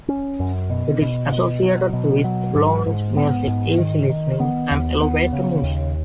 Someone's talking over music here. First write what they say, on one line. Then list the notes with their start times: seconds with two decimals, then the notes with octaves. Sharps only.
It is associated with lounge music, easy-listening, and elevator music.
0.08 C#4
0.40 F#2
0.70 B2
1.02 B2
1.32 B2
1.63 F#3
1.93 B2
2.24 F#3
2.55 G#2
2.87 G#2
3.17 B3
3.48 G#2
3.78 D#3
4.09 D#3
4.40 B3
4.71 D#2
5.02 B3
5.32 C#3
5.63 D#2